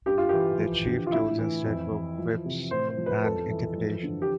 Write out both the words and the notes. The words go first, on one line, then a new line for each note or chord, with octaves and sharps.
Their chief tools, instead, were whips and intimidation.
G2 G4
F4
E3 G4
F3
D3
F4
A2 E4
E3
F2
E3
F3
C3
A2 C5
C5
F3
B4
F2 A4
E3
F3
D3
G4